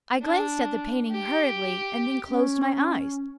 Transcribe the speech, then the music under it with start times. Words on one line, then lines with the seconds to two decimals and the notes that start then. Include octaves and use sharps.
I glanced at the painting hurriedly, and then closed my eyes.
0.23 D4
1.11 G4
2.28 C#4